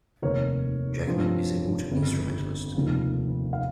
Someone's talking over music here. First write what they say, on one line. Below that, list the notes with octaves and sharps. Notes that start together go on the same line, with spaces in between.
Jackman is a multi-instrumentalist.
F1 D#2 D#3 A#3 A#4 C#5
G2 F3 C4
G1 F2 C#3
F1 D#2 C#3 F3
F5